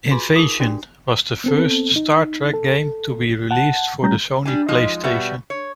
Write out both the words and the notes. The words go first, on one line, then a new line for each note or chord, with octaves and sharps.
"Invasion" was the first "Star Trek" game to be released for the Sony Playstation.
F4 F#4 G#4 B4 G#5 C6
D#4 G#4 A#4 C#6 D#6
C#4 D4 F#4 G4 D5 G5
B3 C4 A4
D#4
A4
F#5 A5
G3 A3 C#4 G4 A#5 G6
G3 D4 G#5
F3 G#3 D#4 D#5
B2 G3 B3 E5
C#5